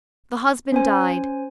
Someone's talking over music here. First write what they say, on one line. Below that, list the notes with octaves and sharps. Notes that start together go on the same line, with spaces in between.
The husband died.
C#4 C5 G#5